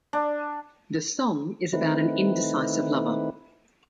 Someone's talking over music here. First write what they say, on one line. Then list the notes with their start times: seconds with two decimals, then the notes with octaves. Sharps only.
The song is about an indecisive lover.
0.13 D4
1.73 D#3 A3 C4 D#4 E4 B4